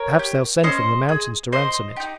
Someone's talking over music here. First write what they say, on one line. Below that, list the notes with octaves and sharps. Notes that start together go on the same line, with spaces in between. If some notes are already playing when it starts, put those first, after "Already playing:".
Perhaps they'll send from the mountains to ransom it.'
Already playing: A#4 C#5
G4
C#4 C5 D#5
G#4
C4 C5 D#5
D#4 G4